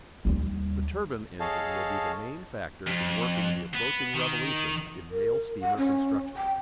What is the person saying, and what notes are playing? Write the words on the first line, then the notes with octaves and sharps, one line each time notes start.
The turbine-engine will be the main factor in working the approaching revolution in mail steamer construction.
D#2 G3
G#4 A4 C#5 D#5 F5 A5
F2
B3
D#3
A#4
F#5
C#4
G5